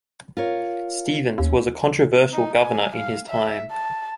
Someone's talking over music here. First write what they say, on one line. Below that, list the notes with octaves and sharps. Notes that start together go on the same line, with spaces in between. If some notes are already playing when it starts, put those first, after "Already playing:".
Stevens was a controversial governor in his time.
F4 A#4 C#5
D#2 C#4
D#4
G#5
F5
E5
A5